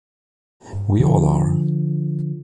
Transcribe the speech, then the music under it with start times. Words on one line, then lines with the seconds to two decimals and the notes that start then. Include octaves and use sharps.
We all are.
1.00 D3 F3